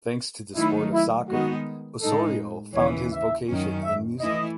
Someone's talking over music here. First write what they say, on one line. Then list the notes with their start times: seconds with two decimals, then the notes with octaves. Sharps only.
Thanks to the sport of soccer Osorio found his vocation in music.
0.56 D#3 F#3 A3 D#4 E4
0.93 E4
1.29 D#3 G#3 B3 D#4 F#4
2.02 A2 G#3 D#4 A4
2.74 D#2 C#3 E3 C#5
3.12 E5
3.48 F#2 D#3 F#3 C#4
3.84 E5
4.21 E3 A3 E4 D#5